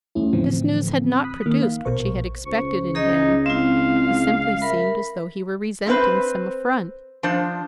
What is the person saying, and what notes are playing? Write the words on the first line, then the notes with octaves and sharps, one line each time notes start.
But this news had not produced what she had expected in him; he simply seemed as though he were resenting some affront.
E2 A3 C#4 E4
A2 D3 E3 F3 C4
B5 D#6 F#6 B6
D#3 A#3 F6
F5
A#1 B2 A#4 C5 C#6
C#2 C5 C#6
C#4 D#4 G#4 D#5
G#3 C4 E4 F5
A#4 E5 B5
C4 E4 F4 B4 C5
F3 D4 C5